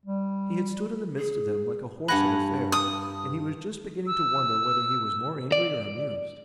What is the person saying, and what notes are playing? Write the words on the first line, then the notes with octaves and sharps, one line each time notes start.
He had stood in the midst of them like a horse at a fair, and he was just beginning to wonder whether he was more angry or amused.
G3
G#4
G2 F#5 G#5 B5 F#6 A#6
D#6
E6
D5